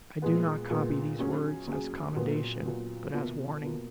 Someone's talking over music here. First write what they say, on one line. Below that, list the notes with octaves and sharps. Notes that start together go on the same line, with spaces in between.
I do not copy these words as commendation, but as warning.
A#2 G#3 B3
A#2 G#3 B3
F#3 C#4 G#4
F#3 C#4 G#4
A#2 F#3 B3
A#2 F#3 B3
B2 A#3 F4
B2 A#3 F4